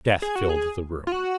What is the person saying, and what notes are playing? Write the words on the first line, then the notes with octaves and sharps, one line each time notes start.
Death filled the room.
G#4
F#4
G#4
F4
F#4